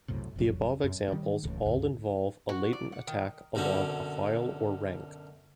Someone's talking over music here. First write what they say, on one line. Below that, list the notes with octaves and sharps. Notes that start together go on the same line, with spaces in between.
The above examples all involve a latent attack along a file or rank.
C2 F#2 A2 C3
F#1 C2 F2 F#3
F#2
D#3 G3
D1 C#2 A2 E3
C#2 G2 D3
F#4
D5
F#5
D#3
F#2 B2 D3 C4 C#4